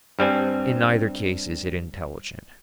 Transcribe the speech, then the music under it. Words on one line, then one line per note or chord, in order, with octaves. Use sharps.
In neither case is it intelligent.
G2 G3 C4 G#5